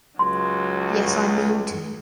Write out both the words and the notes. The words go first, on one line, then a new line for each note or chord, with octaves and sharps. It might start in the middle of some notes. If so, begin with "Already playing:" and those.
Yes, I mean to.
C#2 F#3 C6